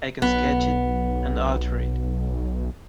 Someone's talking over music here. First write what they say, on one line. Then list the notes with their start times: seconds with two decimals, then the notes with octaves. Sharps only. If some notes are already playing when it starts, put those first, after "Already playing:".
I can sketch it and alter it.
0.22 B1 B3